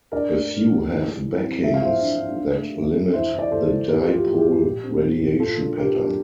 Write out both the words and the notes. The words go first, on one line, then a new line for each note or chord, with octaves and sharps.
A few have backings that limit the dipole radiation pattern.
D4 A#4 D5
A3
D4
F2
A2
G3
E3
C4
F3 E5
F5
A2 C5 E5
D4
D4
D4
A3
F2
D4
E2 C5 E5
E2
D5
E2 A4 C5
E2
A2 G4 A#4
F3 F4
G4
A2
G4
A2
A#2
C4
F3
A#2
F3 F4 A4
D4
D4 G4 A#4
D4